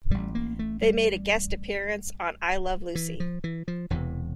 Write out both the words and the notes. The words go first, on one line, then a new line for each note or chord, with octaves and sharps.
They made a guest appearance on I Love Lucy.
A1 A2 G3
A#3
A3
G3
E3
F3
E3
F3
E1 E2 C3 E3